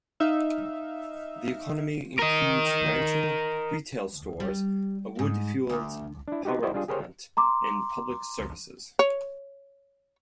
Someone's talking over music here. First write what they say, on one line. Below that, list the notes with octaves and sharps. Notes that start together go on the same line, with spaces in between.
The economy includes ranching, retail stores, a wood-fueled power plant, and public services.
D#4 E5 F5
A#4 D#5
G3
G#2
D2
D4 E4
B3 D#4 F#4 G4
E4 F#4 G4 C5 D5 D#5
G3 D4 F4 G#4
G4 G#4 A#4 C5 C#5 G5
A#5 C6 D6
C#5